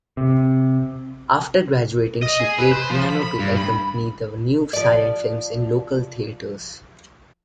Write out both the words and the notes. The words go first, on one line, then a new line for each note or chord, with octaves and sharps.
After graduating, she played piano to accompany the new silent films in local theaters.
C3
D#5
G#4
B4
C5
F3
B5
B5
G2
B5
F3 D5